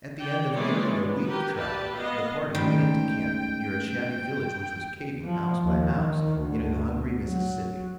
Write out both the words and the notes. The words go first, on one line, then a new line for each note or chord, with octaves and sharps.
At the end of nearly a week of travel, the party went into camp near a shabby village which was caving, house by house, into the hungry Mississippi.
D5 G5
E3 G#3 A#3 C#5 D5
B3
G4 A#4 B4
G4 B4 D5 A5
B3 D#5 F5
G#2 D#3 G3 A3 C#4 G5
F3
D#2
D#3
D2
F#3